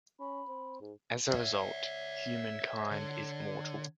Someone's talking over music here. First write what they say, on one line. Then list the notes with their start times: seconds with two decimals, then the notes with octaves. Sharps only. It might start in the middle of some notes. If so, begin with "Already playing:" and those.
As a result, humankind is mortal.
0.20 C#4 B5
0.48 C4
0.81 G#2
1.31 C#5 D5 E5
2.91 D3